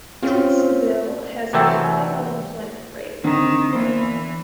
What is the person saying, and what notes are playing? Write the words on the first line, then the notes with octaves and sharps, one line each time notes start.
Titusville has a high unemployment rate.
C4 C#4 F4
C3 E3 F#3 A3 C4 A4
D3 D#3 C4
E2 E3 A#3 C5